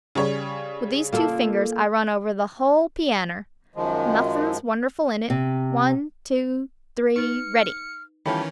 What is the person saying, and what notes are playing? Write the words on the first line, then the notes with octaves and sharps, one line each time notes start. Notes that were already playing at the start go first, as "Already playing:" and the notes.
With these two fingers I run over the whole pianner. Nothin' wonderful in it: one, two, three--ready.
C#3 G3 C#5
A#3 F4 A4
F#2 D#3 F3 G#3
C3
D#4 B4 F6 C#7
D#3 E3 G3 A3 C#4 E4 F4 C#5